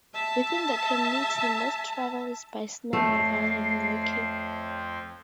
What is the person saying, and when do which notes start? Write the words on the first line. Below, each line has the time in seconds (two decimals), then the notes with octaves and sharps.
Within the community, most travel is by snowmobile and walking.
0.14 E5 A5
2.93 F2 A3 C4 C#5 E5 A5 C7